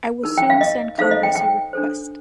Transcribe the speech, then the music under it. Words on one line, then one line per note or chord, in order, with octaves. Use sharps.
I will soon send Congress a request.
D#4 A#4
G5
F5
D#5
D#4 A4 C5 F5
D#5
G5
G5
D4 A4 C5